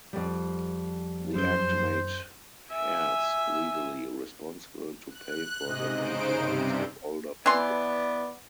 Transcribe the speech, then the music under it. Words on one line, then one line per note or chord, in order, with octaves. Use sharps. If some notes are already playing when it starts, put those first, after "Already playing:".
The act made heirs legally responsible to pay for the maintenance of older people.
F2 G3
F#2 C5 G6
E5 G#5
F#6
G#2 C3 D#5
C#3 D#4 C5 D7
G2 C3
E3 B3 D5 C6